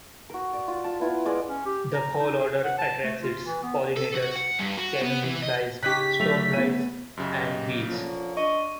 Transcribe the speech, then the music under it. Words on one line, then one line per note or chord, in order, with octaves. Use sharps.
The foul odor attracts its pollinators, scavenging flies, stoneflies, and bees.
F#4 A#4
D5
F4
F4 A5
B3 E4 F4
G#3 D5 D#5 F5
C#4
G4
A#5
D#4
G#4
F#5
A5
A3
F4
E3
B3
A4
F#4
F#5
G2
F#4
B3
E3
D#5
C#3 D#4 G4 F#6 B6
F#3 A3 F7
B3 D#7
F#2 C#3 G4 D#5
D3 F3 A#3 C#4
D4 D#5 C#6